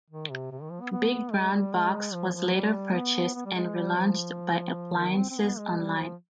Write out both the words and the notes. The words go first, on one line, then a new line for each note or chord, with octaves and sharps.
Big Brown Box was later purchased and relaunched by Appliances Online.
D#3
C3
C3
D#3
F3
B3
B3
G#3
G3
G#3
F3
F3
G3
B3
B3
G3
G#3
G3
F3
D#3
C4
C4
B3
G#3
G3
F3